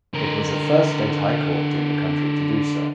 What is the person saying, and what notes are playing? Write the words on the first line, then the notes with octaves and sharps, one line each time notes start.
It was the first state high court in the country to do so.
D3 A#4